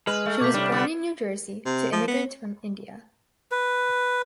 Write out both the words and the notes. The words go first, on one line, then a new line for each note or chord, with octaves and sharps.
She was born in New Jersey to immigrants from India.
G#3 B4 F6 F#7
A3
B2 A#3 D6 G6 B6
C2 A2 G3 D4
D3 B3
C3
F3
B3
B4